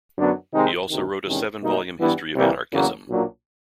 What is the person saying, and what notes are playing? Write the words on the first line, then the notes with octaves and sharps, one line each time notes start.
He also wrote a seven volume history of anarchism.
F#2 D3 F#3 B3 D4
C3 D#3 G#3 C4 D#4
D2 C3 D#3
E2 C3 D#3 G#3 C#4
B2 G3 A#3 D#4
G2 E3 G3 B3 E4
C2 C3 E3 G3 A#3
E2 C#3 F#3 A#3
B1 A#2 F#3 A#3 D4